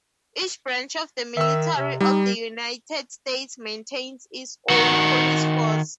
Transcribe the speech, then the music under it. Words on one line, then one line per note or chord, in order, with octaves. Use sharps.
Each branch of the military of the United States maintains its own police force.
D#3 E5 E6
C3
G3 D#4
D#3 F#4